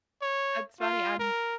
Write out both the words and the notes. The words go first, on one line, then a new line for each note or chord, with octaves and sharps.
That's funny, I'm
C#5
F4
A#4